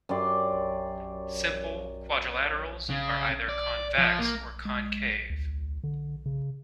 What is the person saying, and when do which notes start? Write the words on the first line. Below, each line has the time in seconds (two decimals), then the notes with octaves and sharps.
Simple quadrilaterals are either convex or concave.
0.09 F#2 G4 D5 C6
2.90 C#3
3.49 D5
3.98 F3
4.19 A#3
4.65 G#3
5.30 D2
5.84 D3
6.26 C#3